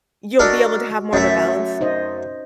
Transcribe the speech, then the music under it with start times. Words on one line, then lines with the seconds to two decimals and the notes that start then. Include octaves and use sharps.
you'll be able to have more of a balance.
0.39 D4 F#4 A4 A#4 D#5
1.13 F#2 A3 C#4 E5
1.81 D#4 C5 D#5